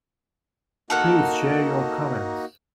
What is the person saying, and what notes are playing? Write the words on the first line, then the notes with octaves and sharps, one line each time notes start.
Please share your comments.
A#3 D#4 F#4 A4 A#4 F#5